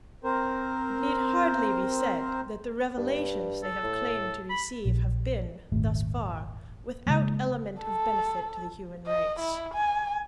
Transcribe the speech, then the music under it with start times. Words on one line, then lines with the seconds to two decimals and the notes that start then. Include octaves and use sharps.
It need hardly be said that the revelations they have claimed to receive have been, thus far, without element of benefit to the human race.
0.24 C4 A#4 C5
2.98 G2
3.63 A4
3.83 A2
4.50 B5
4.85 A#1
5.72 D#1 G#1 A3
7.06 C#3 F3 G#3 A#3
7.82 A4
9.07 D#5
9.40 E4
9.74 G#5